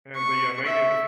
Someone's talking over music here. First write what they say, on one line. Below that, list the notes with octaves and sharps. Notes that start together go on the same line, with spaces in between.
and the, uh, Native
C#6
E5